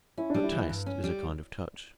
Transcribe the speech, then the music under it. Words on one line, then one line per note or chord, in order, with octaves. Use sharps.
But taste is a kind of touch.
C#4 E4
G3 D4
E4
E3
G2
C#4
G3